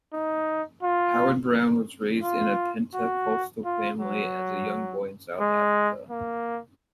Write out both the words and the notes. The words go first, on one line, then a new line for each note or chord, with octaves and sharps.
Howard-Browne was raised in a Pentecostal family as a young boy in South Africa.
D#4
F4
F4
F#4
F4
F#3
G#3
A#3